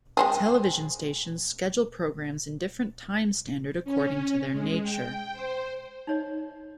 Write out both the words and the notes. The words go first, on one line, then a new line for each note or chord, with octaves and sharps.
Television stations schedule programmes in different time standard according to their nature.
G#3 C4 G#4
C#4
G#3
G5
C5
D#4 C#5 D#5